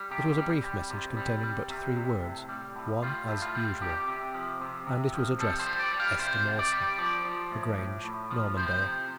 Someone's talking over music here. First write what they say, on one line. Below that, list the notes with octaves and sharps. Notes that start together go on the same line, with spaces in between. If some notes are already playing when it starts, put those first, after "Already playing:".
It was a brief message containing but three words--"One as usual"--and it was addressed Esther Mawson, The Grange, Normandale.
Already playing: G3
C3 G4
G3
G3
C3
G3
G3
C3
C3
A2
G3
A2
G3 F4
A2
F4
G3
C3 G4
C3
F3
C3
C3
F3
G3 A4
C5
G3
D5
G3
F5
C3 C5
C3
D5
G3
F3 D5
F3
A2
A2
A2
F3
C3 C5
C3